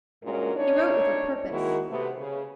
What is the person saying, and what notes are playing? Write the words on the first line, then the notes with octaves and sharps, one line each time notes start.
He wrote with a purpose.
G2 A#2 G#3 C#4 F#4 A#4
C4 D4 D#4 C#5
D#3 G#3 A#3 E4 F#4 A#4
C3 A3 B3
C#3